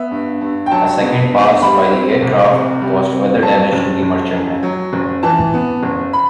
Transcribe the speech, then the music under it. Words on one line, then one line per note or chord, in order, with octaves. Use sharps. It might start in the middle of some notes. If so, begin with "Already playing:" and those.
A second pass by the aircraft caused further damage to the merchantman.
Already playing: B3 E5
G2
G2
G5
F#3 A5
B3
G2
G3 B5
C4
C2
C3
G3
C4
F#3 A5
F#1
F#1
F#2
F#3
F#1
E3 A5
B3
F#1
B5